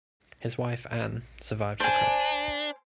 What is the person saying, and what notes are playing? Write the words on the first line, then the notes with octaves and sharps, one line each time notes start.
His wife Ann survived the crash.
D4 C5 G#5